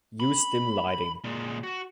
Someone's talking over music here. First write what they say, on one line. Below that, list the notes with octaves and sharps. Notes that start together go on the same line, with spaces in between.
Use dim lighting.
B5
A#2 G#3
F#4